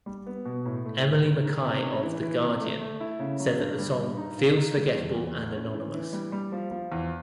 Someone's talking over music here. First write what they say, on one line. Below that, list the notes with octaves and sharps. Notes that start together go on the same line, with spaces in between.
Emily Mackay of "The Guardian" said that the song "feels forgettable and anonymous".
G3
B3
B2
A2
A3
A2
D#3
D#3
C3
C#4
E3
E3
C3
A3
A3
E4
C#3
F#3
G2
G3
G2
D#4
A#2
D#4
G3
E2
E2
A3
C#4
E3
E3
G3
G3
F3
F3
E2